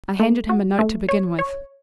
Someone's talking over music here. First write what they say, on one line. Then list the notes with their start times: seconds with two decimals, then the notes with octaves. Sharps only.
I handed him a note to begin with.
0.20 A3
0.49 F#4
0.79 A3
1.09 C#5
1.39 C#5